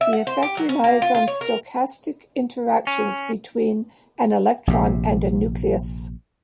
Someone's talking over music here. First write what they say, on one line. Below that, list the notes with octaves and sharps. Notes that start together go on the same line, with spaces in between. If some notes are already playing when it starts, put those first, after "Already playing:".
This effect relies on stochastic interactions between an electron and a nucleus.
E5
F#5
C5
G4
F#3
C#4
A#3
F4
F4
C#5
A#4
C#4
A#1 C3